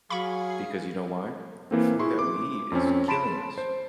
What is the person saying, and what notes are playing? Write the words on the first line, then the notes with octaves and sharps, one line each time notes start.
Because you know why? The food that we eat is killing us.
F#3 G#4 F5 B5 C#6
E3 A#3 C4
E4 G#4 C6 C#6
D6
F2 C4 C#4
A5 B5 C6 D7 E7
C5